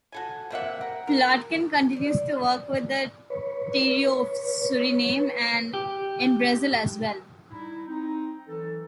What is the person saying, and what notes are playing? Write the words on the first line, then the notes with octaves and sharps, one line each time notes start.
Plotkin continues to work with the Tirio of Suriname, and in Brazil as well.
F#4 A4 G#5
C3 A#3 E5 F#5
A#4
A#4
C5 D5
B4 C#5
G4
G3 D#4 E4
C4 D#4
E3 F#3 D#4 A4